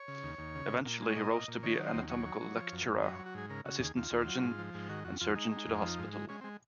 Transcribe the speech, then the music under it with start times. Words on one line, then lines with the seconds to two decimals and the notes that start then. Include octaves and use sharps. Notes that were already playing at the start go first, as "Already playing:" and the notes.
Eventually he rose to be anatomical lecturer, assistant-surgeon and surgeon to the hospital.
Already playing: C#5
0.08 C#3
0.23 D#2
0.39 D#2
0.55 C#3
0.70 A#2
0.85 A#2
1.02 G#3
1.07 C#5
1.16 A#2 D#5
1.32 A#2
1.48 A#2
1.63 D#3 C#5
1.79 F#3
1.86 C5
1.94 D#2
2.10 F#3 C#5
2.26 F#3
2.42 F#3
2.56 F3
2.72 F#2
2.88 F#2
3.03 F#3 D#5
3.15 C#5
3.19 F#3
3.26 F#4
3.34 G#2 G#4
3.50 C#3 A#4
3.65 C#3 F#4
3.81 D#2 G#4
3.96 D#2 F4
4.11 D#2
4.27 F#3
4.43 G#2
4.58 F3
4.74 G#2
4.89 D#3 F#4
5.04 F2 F#4
5.21 F2 F4
5.35 G#3 D#4
5.52 G#3
5.67 F2
5.82 F3
5.99 G#2
6.13 G#3
6.29 G#3 C#4
6.41 C4
6.44 G#3